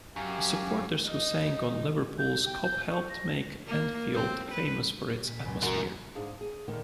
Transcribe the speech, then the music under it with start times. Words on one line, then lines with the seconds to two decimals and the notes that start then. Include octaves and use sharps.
The supporters who sang on Liverpool's Kop helped make Anfield famous for its atmosphere.
0.16 F#2 G4 F5 G#5
1.08 D#4
2.19 G6
2.46 G5
2.64 G6
2.90 C#6
3.09 A#6
3.67 A#3
4.14 C4
4.52 B4
5.26 A#2 B6
5.45 C#2 F#2
5.63 F#4 A#4
6.15 G#2 D4 G#4 F5
6.41 G#4
6.68 A#2 D3 D#3 A#3 D#4